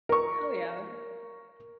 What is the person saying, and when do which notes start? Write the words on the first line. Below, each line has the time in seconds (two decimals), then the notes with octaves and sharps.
Oh, yeah,
0.09 A#4 C#6